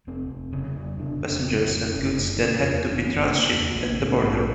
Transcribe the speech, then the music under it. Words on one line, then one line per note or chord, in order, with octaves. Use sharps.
Passengers and goods then had to be transhipped at the border.
F1 C4
F1
C#3 C#4
F2
F1 D4
F1
C#3 D4
F2
F#1 C#4
F#1
C#3
E2
F#1 A#3
F#1 B3
C#3 A#3
E2 A3
A#1 A#3
G#2
A#1 B3